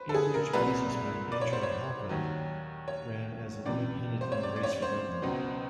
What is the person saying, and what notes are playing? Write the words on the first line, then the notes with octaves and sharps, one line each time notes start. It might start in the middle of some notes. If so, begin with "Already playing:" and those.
Anchorage businessman Andrew Halcro ran as an Independent in the race for governor.
Already playing: B4 C5
A4
G#4
A#4
C2 A#2 F#3 B4
D5
C#5
C5
C#5
D#2 D#3 F#3
C#5
C#2 C3 E3 D5
C5
C#5
D5
D5
C#5
C5
C#2 B2 F#3